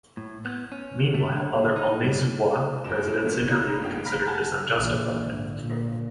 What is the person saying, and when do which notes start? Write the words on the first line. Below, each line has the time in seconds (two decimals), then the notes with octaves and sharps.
Meanwhile, other Aulnay-sous-Bois residents interviewed considered this unjustified.
0.17 A2
0.45 B3
0.72 C#4
1.14 A3
1.36 D3
1.56 A#2
1.76 D#4
2.03 G2
2.84 F1 F#2 E7
3.25 D3 F3 G3 A3 A#3 C4
3.48 C#4 D#4 E4 F5 A#5 B5
3.81 F#1 D3 F3 B3 F5 G5
4.05 F5 A#5 B5 F6 A#6 B6
4.26 F#5 G#5 A5 G6
4.77 A#1 E3
5.21 G#2 D3
5.59 A#2